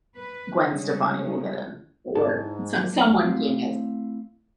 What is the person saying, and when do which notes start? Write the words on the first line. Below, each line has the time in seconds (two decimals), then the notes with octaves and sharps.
Gwen Stefani will get in, o or so someone famous.
0.16 B4
0.61 C#3 G3 G#3 C#4
2.15 G#2 E4 B4 A5
2.77 F#3 A#3 D4
3.22 A3 C4 E4 F5